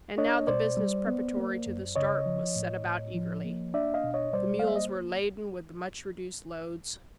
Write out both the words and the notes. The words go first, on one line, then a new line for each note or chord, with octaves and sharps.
And now the business preparatory to the start was set about eagerly. The mules were laden with the much-reduced loads.
D4 C#5 D#5
B2 C5 D5
G3
B3
A#3
F#2
C#3 C#5 D#5
F3
A2
A2
F3
A#3
D4 D5 E5
D#5 F5
B2
C#5 D#5
G3 C5 D5
F5
A#3 E5
D#5